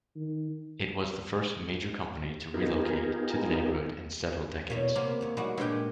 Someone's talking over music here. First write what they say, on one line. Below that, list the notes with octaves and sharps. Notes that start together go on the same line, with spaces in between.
It was the first major company to relocate to the neighborhood in several decades.
D#3
B3 D#4 F4 G4 G#4 A#4
E2 B2 A#3 C#5
C3 A#3 B3
D#2 C#4
G3 G#3 D#4 F#4
G2 A#2 G#3 C#4 G5